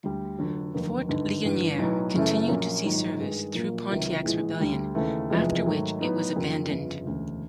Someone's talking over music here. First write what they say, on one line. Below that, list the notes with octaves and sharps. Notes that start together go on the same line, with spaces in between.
Fort Ligonier continued to see service through Pontiac's Rebellion, after which it was abandoned.
D2 D3 G3
F1 F2 D3 F#3
F1 D#2 D3 F#3 A#3
G#1 G2 D3
A1 G2 D3
B1 A2 F#3 B3
F#2 C#3 E3 A3
A#1 A#2 F#3 A#3 C#4
A#1 G#2 D#3 F#3
G2 D#3 G#3
A#1 A#2 F#3 A#3
C#2 C3 D#3 F#3
A#1 A2 E3 G#3
D2 D3 G3
D#2 C#3 E3 A3
F1 E2 C3 F3 G#3
G#2 D#3 F#3 A3
A2 F#3 B3 D#4
F2 C#3 F#3 A#3
G1 F2 C#3
E1 D2 C#3